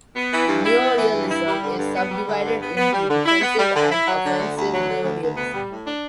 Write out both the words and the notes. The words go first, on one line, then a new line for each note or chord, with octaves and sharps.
Neorealism is subdivided into defensive and offensive neorealism.
B3
E3
G2
E4
B3
E3
G2
E4
G3
D3
G2
B3
G3
D3
G2
B3
B3
G3
D3
E4
B3
G3
D3
E4
F#3
D3
D2
D2
F#3
D3
D2
D2
B3
G3
A2
D4